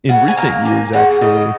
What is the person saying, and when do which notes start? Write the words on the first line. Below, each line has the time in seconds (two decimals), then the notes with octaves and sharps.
in recent years, actually,
0.09 C#3 F#5
0.28 G#5
0.37 A#3 A#5
0.65 A#3 G#5
0.93 C#3 F#5
1.21 C#3 D#5